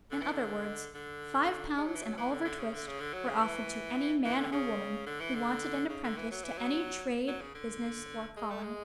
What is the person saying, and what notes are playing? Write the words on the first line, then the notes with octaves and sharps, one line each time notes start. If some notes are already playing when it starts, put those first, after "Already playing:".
In other words, five pounds and Oliver Twist were offered to any man or woman who wanted an apprentice to any trade, business, or calling.
D3
E3
D3
D3
G#3
F#3
E3
F#3
E3
D3
D3
C#3
D3
C#3
D3
F#3
C#3
E3
E3
D3
C#3
D3
E3
D3
C#3
D3
E3
F#3
E3
F#3
F#3
C#3
D3
G#3
A3
G#3